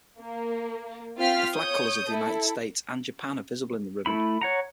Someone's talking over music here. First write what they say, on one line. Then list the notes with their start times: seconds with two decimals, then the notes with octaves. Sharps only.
The flag colors of the United States and Japan are visible in the ribbon.
0.20 A#3
1.17 C4 F4 F5 G5 F6 B6
1.55 C#5 D#6 G6
2.08 E4 A4
4.06 A3 E4 B5
4.41 C#5 F#5 A#5